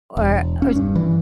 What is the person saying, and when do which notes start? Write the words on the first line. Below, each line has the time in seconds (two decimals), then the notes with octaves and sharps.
Or or
0.17 E1
0.62 C#4
0.76 G2
0.95 E3